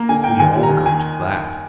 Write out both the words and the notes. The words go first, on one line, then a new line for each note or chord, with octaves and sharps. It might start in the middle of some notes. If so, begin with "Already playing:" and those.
We all go to that.
Already playing: A#3 A#5
D3 G#5
A#3 G5
D#2 G#5
G3
A#5
D#2
D#3 G#5